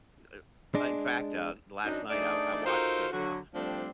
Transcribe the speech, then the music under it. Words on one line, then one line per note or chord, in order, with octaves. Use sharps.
uh, eh In fact, uh, last night I I watched a, uh
G#3 D4
F#2 D4 D#4
A3 D4 D#4 G#4 D5
D#4 F4 F#4 A4 A#4 C5
D3 F#3 F#4
F3 G3 A3 C4 D4